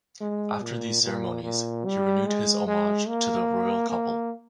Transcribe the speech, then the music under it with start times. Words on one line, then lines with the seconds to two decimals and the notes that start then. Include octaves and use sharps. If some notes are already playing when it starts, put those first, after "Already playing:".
After these ceremonies, he renewed his homage to the royal couple.
0.20 G#3
0.62 A#2
1.03 A#2
1.43 A#2
1.85 G3
2.26 G#3
2.67 G#3
3.08 A#3
3.90 A#3